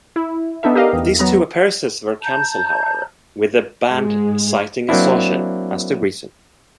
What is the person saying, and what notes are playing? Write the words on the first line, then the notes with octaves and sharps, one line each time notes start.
These two appearances were cancelled, however, with the band citing exhaustion as the reason.
E4
B3 D4 D#4 A4 E5
G4 A#4 D#5 F5
E2
F#3 B3 A#5
A5 A#5 G6
G#2 G#3
F#3 A#3 C4 D4 E4